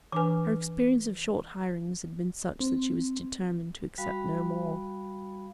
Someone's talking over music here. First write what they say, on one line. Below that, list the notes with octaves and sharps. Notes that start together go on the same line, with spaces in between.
Her experience of short hirings had been such that she was determined to accept no more.
E3 D4 B4 G#5 D6
C4
G3 F#4 F5 B5